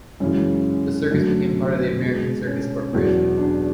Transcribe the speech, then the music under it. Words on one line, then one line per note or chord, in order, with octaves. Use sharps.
The circus became part of the American Circus Corporation.
F#2 C#3 E3 G#3 C#4
F#2 D3 F#3 A3 D4
B2 G#3
C#4
E2 B2 F#3
D4